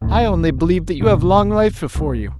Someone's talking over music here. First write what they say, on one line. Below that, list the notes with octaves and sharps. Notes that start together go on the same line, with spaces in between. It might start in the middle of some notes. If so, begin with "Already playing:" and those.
I only believe that you have long life before you.
D#1 D2 A2
F#1
D#1 G2 B2
C2